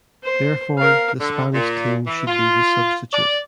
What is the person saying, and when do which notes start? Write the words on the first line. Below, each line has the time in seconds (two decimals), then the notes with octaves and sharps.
Therefore the Spanish team should be the substitute.
0.24 C5
0.78 A#4 F5
1.20 D3
1.54 A#2
2.07 E3
2.28 F4
3.13 D5